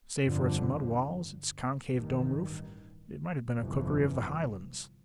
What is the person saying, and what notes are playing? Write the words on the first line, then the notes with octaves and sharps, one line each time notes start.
Save for its mud walls, its concave, dome-roof, it might have been a cookery of the Highlands.
G1 F2 D3 F3
A1 G2 D#3
G1 F2 C3 E3